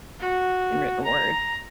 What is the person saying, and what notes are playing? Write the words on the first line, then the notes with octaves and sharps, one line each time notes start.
in written word.
F#4
A#5